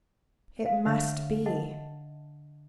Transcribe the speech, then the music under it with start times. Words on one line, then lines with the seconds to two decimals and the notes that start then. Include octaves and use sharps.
"It must be."
0.65 F5
0.85 D3 C#5 E5 F#5 F6 A6
1.46 D#5 F#5 A5